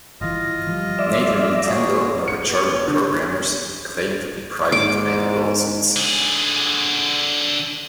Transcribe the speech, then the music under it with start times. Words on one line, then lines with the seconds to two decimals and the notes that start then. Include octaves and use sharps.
Neither Nintendo, nor the German programmers claim to be privy to any lawsuits.
0.21 G1 E3 F4 D#5
0.67 E3 F3 G3
0.99 D5 E5
1.66 A#3 F#4 G#4 C#5
2.28 C#7
2.47 B3
2.75 C#5
2.88 D3
4.72 G#2 D6
5.96 D3 G#4